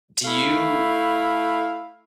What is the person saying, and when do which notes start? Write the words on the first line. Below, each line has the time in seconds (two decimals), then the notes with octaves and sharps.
Do you
0.25 A3 E4 F5